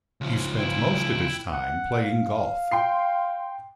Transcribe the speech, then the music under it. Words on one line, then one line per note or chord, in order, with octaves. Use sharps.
He spent most of his time playing golf.
C#2 F3
E4 G5
F#5
F5
G5 C6 C7